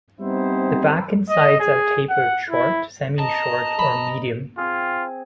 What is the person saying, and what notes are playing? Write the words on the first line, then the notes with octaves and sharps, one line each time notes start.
The back and sides are tapered short, semi-short, or medium.
G3 B3 C4 D#4 E4 C5
D#5
G#4
F#5
E4
D#5 A5 A#5
B5
C4 F4 G#4